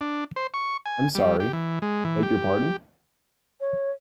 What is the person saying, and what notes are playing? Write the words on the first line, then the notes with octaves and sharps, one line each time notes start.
I'm sorry. I beg your pardon.
D4
C5
C#6
G#5
G3
G4
E3
G#3
E3
G4
C#5